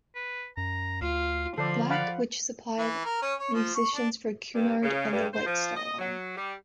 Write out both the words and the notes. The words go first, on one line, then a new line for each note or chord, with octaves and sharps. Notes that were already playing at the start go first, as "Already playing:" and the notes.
Black, which supplied musicians for Cunard and the White Star Line.
B4
F#2 A#5
D2 F4 F5
D3 F3 A4 C5 D5
D5 F5 F#5 B5
E3
A#4
C#4
C#5
F3
C#6
D4
G2
C#3
G2
C5
F3
D#5
F#3
G3